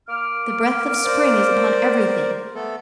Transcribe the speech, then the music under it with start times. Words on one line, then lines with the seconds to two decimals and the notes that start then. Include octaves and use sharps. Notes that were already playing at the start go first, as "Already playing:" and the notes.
The breath of spring is upon everything.
0.09 A#3 D6 F6
1.05 A#4 C5 D5
2.55 A3 B3 A4